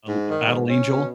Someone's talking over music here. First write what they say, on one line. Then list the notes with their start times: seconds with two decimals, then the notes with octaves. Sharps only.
Uh, l a battle angel,
0.08 G#2
0.28 D#3
0.47 G#2
0.66 C#4
0.86 B2